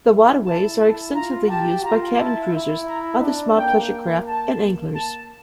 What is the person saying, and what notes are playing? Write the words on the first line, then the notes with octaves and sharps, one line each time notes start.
The waterways are extensively used by cabin cruisers, other small pleasure craft and anglers.
E4
E4 A5
A5
F4 A#5
G4 A5
F4 A#5
E4 A5
E4
A#5
D4
A#3 G5
A5
A#3
A5